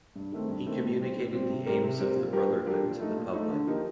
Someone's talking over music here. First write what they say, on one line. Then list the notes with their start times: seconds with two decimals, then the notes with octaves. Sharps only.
He communicated the aims of the Brotherhood to the public.
0.16 G2
0.32 D#3 A3 C4
0.49 G2
0.66 D#3 A3 C4
0.82 A2
0.99 G3 C4
1.16 A2
1.33 G3 C4
1.49 C3
1.66 G3 C4 G4 A#4
1.83 C3
1.99 G3 C4 G4 A#4
2.16 A#2
2.33 G3 D4 G4 A#4
2.50 A#2
2.66 G3 D4 G4 A#4
2.83 A#2
2.99 A3 D#4
3.16 A#2
3.33 A3 D#4
3.50 D3
3.67 F3 A#3 D#4 G4